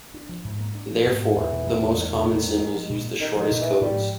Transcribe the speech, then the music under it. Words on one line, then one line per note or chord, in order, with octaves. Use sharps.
Therefore, the most common symbols use the shortest codes.
D4
F3
G#2
A#3
D4
F3
G#2
A#3
E2 E3
B2
E2
G#3
D3
E2 D#3
B2
E2
G#3
C#4
F3
A#2
A#3
D#3 C#4
D#3 F3
A#2
E3
A#3
G#2 G3
F3